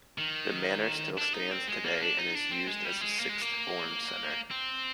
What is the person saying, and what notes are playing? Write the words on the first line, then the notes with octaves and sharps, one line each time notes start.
The Manor still stands today, and is used as a sixth form centre.
D#3
D4
D#4
C4
G#3
A#3
D4
D#4
D4
C4
G#3
G3
G#3
A#3
G#3
A#3
C4